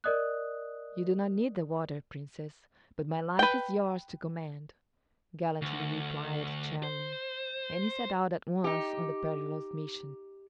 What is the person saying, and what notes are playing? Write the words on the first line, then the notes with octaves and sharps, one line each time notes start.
"You do not need the water, Princess; but my life is yours to command," gallantly replied Charming; and he set out at once on the perilous mission.
A#4 D5 D#5 D#6 F#6
B4 G5
D2
C5
D#4 G4